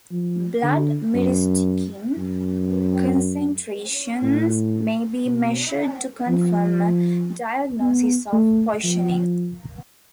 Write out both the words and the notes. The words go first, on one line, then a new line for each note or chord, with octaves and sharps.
Blood myristicin concentrations may be measured to confirm a diagnosis of poisoning.
F3
D3
F#2
F#2
A2
B2
F3
B3
A3
F3